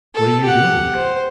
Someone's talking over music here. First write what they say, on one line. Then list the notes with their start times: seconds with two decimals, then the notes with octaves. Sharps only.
What are you doing here?'
0.14 A4
0.43 G4 F#5
0.96 C5